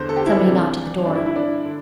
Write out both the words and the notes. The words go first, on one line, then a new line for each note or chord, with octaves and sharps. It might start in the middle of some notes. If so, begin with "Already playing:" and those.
Somebody knocked at the door.
Already playing: E2 D3 C5
A4
G4
E4
D4
C2 C3 E3
G2 D3 D4
E4
E4
D4
D3